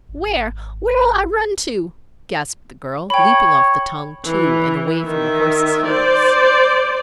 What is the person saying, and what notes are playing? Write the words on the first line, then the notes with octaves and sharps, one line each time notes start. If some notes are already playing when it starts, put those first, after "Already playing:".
"Where, where'll I run to?" gasped the girl, leaping off the tongue, too, and away from the horses' heels.
G#1
C#5 G5 B5
E3
D#3 E5
C5 D5